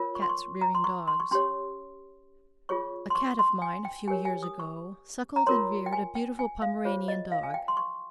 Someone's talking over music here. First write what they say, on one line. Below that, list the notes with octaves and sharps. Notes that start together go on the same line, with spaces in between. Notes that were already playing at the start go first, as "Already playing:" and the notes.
CATS REARING DOGS.--A cat of mine, a few years ago, suckled and reared a beautiful Pomeranian dog.
Already playing: F4 A#4 C#5
C#6
C6
C#6
A#5
C6
C#6
C6
C#6
C#4 G4 C#5 C6
F4 G#4 C#5 C#6
C6
C#6
C6
G#5
G5
G4 A#4 C#5 G#5
G#5
D#6
C#6
A#5
F4 A#4 C#5 C6
G5
G#5
G5
G#5
F5
F4 G#4 C5 C#5
D#5
F5
G#5
G5
C6
C#6